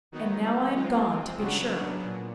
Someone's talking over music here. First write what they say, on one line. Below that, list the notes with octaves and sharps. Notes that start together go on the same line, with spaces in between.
And now I am gone, to be sure!
D#3 F#3 B3 D#4
G#3 C4 F4
C#3 F#3 B3 D4
A#2